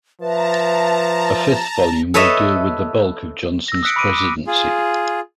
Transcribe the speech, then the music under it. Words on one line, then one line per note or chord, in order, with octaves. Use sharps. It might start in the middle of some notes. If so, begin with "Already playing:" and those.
A fifth volume will deal with the bulk of Johnson's presidency.
F3 B4 E5 A5 A#5
A4 B4 C#5 D#5 E5
E6 A#6
D#6 E6 F#6 B6 C#7 D7
B5 C6 D6 D#6 D7 D#7
D6 D#6
F4 G#4